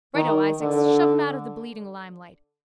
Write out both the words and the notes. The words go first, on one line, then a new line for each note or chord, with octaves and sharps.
Righto, Isaacs, shove em out of the bleeding limelight.
D#3
D3